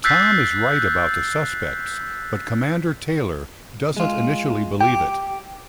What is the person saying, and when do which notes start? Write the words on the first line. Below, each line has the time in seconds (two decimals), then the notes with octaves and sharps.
Tom is right about the suspects, but Commander Taylor doesn't initially believe it.
0.04 E6 F#6 G6 A6 B6 C7
3.97 G#3 F4
4.81 G4 G5